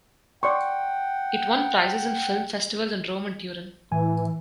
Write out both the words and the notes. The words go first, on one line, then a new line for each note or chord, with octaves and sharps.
It won prizes in film festivals in Rome and Turin.
D5 F#5 G5 C6 C#6
A2 E3 G#5